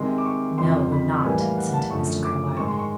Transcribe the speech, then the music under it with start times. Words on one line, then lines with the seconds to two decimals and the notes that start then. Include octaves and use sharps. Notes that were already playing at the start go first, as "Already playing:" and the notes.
"No, it would not," assented Mr. Carlyle.
Already playing: C3 D#3 G#3 C6
0.18 D6
0.26 C#6
0.58 F2 C#3 F3 C6
0.92 B5
1.24 A2 E3 G3 A#3 G#5
1.41 F5
1.58 F#5
1.74 A5
1.90 F#2 D3 F3 A3 C#6
2.24 D6
2.57 G#2 D#3 G#3 C#6
2.68 C6
2.79 C#6